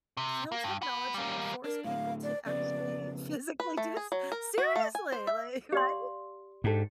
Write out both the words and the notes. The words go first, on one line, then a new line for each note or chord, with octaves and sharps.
kill technology and force people to actually, physically do s Seriously! Like, right?
C3
A#3
G2
F#4 B4
G3 A#3
D4 A#4
A2 D3 F5
D5
F2 C#3 B3 D5
B4
A3
G#4
F#3
A#4
F#4
A3
G#5
C5
E5
G4 D5 F5 C6
G#2 D4 G4 A4